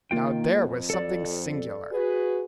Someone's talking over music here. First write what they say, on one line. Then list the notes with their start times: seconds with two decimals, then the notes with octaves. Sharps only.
Now there was something singular.
0.11 D#3 A#3 F4 G5
0.51 F2
0.90 A4 D5
1.92 F#4 G#4 B4